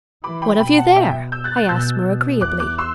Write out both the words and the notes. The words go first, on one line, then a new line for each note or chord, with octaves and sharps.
"What have you there?" I asked more agreeably.
E3 B5 D6
G5 B5
B2 G5 B5
F#5 A5
E5 G5
E6 G6
F#6 A6
F#6 A6
B2 E6 G6
B2
E2 D6 F#6
D6 F#6
C6 E6